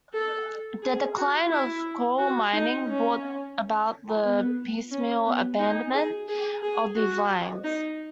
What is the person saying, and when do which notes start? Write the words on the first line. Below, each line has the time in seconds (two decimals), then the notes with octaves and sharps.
The decline of coal mining brought about the piecemeal abandonment of these lines.
0.13 A4
0.82 G#4
1.16 F#4
1.50 E4
2.19 F#4
2.53 D#4
2.87 C#4
4.24 B3
4.91 C#4
5.26 B3
5.59 D#4
5.94 G#4
6.28 G#4
6.62 G#4
6.96 F#4
7.64 D#4